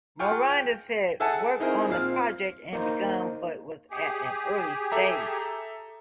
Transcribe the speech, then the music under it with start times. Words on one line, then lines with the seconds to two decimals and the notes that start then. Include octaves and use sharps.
Miranda said work on the project had begun but was at an early stage.
0.19 F4 G#4 F#5 G5 C#6 F6
0.50 G5
1.20 G#4 A4 E5 F#5 G#5 A5
1.60 C4 D#4 E4 G#4 A#4 C5
1.89 A#2 C4 F5 F6
2.73 A#3 D#4 C5
3.91 G4 G#4
4.92 A4 E5 A#5